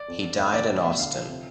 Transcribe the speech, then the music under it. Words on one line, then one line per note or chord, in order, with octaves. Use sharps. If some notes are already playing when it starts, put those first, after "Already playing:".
He died in Austin.
Already playing: D5
F2
F2
A3 E5
D3 D5
A3 D5
B2 E5
D3 F5
F3
C3